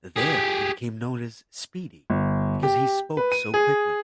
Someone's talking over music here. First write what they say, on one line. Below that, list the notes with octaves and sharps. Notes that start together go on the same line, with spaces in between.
There he became known as 'Speedy', because he spoke so quickly.
G4 G#4
G1
G4
B4
D#7
G#4